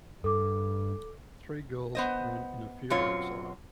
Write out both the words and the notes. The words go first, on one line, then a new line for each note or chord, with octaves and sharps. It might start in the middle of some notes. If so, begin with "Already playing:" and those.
Three girls run in a field outside.
G2 A4 D6
B3 C5 D#5
F#2 B2 F#3 C4 F4 C#5